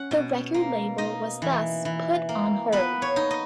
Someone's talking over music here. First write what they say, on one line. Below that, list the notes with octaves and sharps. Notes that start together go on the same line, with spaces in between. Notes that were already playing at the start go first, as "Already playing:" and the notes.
The record label was thus put on hold.
Already playing: C#4 F#5
B2
A#3
D#4 D#5
E3
E3
A#3
B3 B4
C#5
D#4
D#5